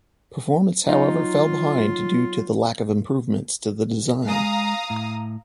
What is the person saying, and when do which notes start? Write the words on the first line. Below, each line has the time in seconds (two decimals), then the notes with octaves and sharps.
Performance, however, fell behind due to the lack of improvements to the design.
0.87 F#3 D#4 F4
4.25 G#3 F5 G#5 A#5 D#6
4.90 A2